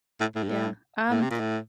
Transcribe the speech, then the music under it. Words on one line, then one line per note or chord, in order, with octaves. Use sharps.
Yeah, um,
A2
A2
G2
A2
A2
C3
A#2
A2